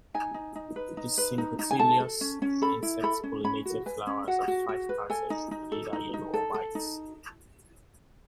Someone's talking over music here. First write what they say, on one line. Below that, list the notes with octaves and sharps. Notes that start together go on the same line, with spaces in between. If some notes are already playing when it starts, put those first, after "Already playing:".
The sympetalous, insect-pollinated flowers are five-parted and either yellow or white.
D#4 G#5
D#4
D#4
B4
D#4
B4
D#4
D#4
G#5
A4 A5
A4
C#4
C#4
A4 B5
E4
A4 B5
C#4
C#4 B5
F#4
B4 G#5
C#4
F#4 F#5
F#4
F#4
B4
A4 G#5
D#4
D#4
A4
D#4
D#4
A4
A4
D#4